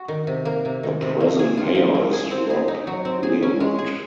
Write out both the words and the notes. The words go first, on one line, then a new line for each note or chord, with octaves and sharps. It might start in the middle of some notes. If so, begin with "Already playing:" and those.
The present mayor is Rob Leonard.
Already playing: F#4
D#3
C3
A#3
C3
D#3
C3
A#3
G#4
F4
F3
A#3
G#4
C4
G#4
D#4
F#3
C4
G#4
C#4
G#3
G#4